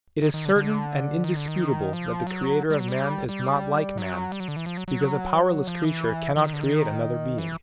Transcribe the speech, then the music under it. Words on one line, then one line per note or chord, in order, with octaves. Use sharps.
It is certain and indisputable that the creator of man is not like man because a powerless creature cannot create another being.
D#3
D#3
D3
D3
D#3
D3
D#3
F3
F#3
G3
F#3
G3
G3
F#3
G3
F#3
D3
E3
F3
F#3
F#3
F3
E3
E3
D#3
D3
D#3
E3